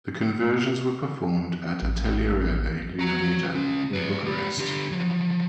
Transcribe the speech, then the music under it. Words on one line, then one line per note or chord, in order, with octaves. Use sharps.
The conversions were performed at Atelierele Leonida in Bucharest.
A1
F#4 A#5
C#2 C#4
G#4 B4
G#3 G4
D3 G4
F3 F#3